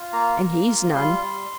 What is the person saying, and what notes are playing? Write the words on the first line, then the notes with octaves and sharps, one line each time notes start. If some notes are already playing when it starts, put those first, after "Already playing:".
And he's none.
Already playing: F4
A#3 A#5
A#3
F4
G3 C6
G3